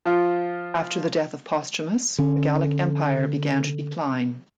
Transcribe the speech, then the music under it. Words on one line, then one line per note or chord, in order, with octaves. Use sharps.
After the death of Postumus, the Gallic Empire began to decline.
F3 F4
D3 C#4